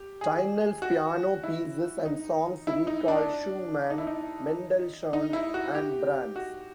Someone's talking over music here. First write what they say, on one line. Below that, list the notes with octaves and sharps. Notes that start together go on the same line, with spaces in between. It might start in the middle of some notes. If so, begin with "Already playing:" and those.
Tinel's piano pieces and songs recall Schumann, Mendelssohn and Brahms.
Already playing: G4
G#4
F#4
E4
D#4
E4
D#4
D4
D#4
E4
D#4
D#4
E4
F#4
G4
F#4